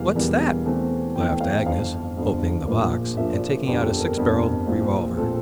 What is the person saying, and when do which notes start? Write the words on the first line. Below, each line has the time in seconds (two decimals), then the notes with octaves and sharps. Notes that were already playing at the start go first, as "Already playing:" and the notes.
"What's that?" laughed Agnes, opening the box and taking out a six-barrelled revolver.
Already playing: E1 E2 E3 G3 A#3 F5
0.15 E1 E2 E3 G3 A#3
0.66 E2 E3 A3 C4
1.16 E2 E3 A3 C4 G5
1.41 F5
1.66 G1 F2 D3 F5
2.17 G1 F2 D3
2.67 A#1 A#2 F3 A#3 D4
3.16 A#1 A#2 F3 A#3 D4 E5
3.33 D5
3.66 G1 F2 D3 G4
3.83 A4
4.00 A#4
4.17 G1 F2 D3
4.67 A#1 A#2 F3 C4
5.17 A#2 F3 C4 A4